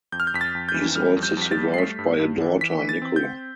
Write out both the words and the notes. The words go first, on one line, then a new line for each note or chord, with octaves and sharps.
He is also survived by a daughter, Nicola.
F2 G6
F6
G6
F2 B6
A6
F2
G6
E3
G3 F6
F2
G6
F2 B6
A6
G3
C7
A3 B6
G2
G2
E3
E3 B6
E3
A6
C4
G6
C4